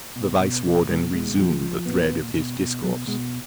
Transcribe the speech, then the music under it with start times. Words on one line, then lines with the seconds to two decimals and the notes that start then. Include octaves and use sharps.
The Vice-Warden resumed the thread of his discourse.
0.16 B2
0.40 B2
0.65 B2
0.89 B2 G#3
1.13 B2 G#3
1.38 F3
1.61 F3
1.86 A#2 B3
2.10 A#2
2.34 B2
2.59 B2
2.83 B2 F#3
3.07 B2 G#3